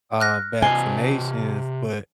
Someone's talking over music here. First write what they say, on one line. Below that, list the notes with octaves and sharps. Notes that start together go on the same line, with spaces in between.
uh, vaccinations, but
F6 F#6 A#6
C3 D#5 G#5 C7 G7